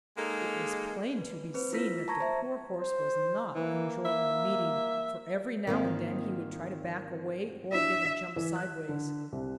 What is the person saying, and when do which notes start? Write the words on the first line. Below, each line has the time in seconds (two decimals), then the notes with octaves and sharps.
It was plain to be seen that the poor horse was not enjoying the meeting, for every now and then he would try to back away, or give a jump sideways.
0.17 G#3 A#3 D#4 G#4 A4
1.17 B4
1.54 C4 B4 C5
1.72 E4 F4 E6 A#6 B6
2.08 A5 A#5 C#6 G#6 A#6
2.20 C5 E5
2.77 C5
3.55 E3 A#3
4.05 E5
5.67 G#1 D#3 A#3 C4 F4
7.72 D4 E4 F#4 E5
8.36 E3
8.55 F#6
8.89 D3
9.32 C2